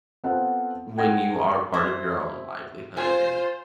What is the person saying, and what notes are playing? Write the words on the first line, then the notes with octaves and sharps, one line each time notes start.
when you are part of your own livelihood and
B3 C4 F4 A4 F#5 A5
F#5 G5 G#6 A#6
E4 C5
F4 C5 G#5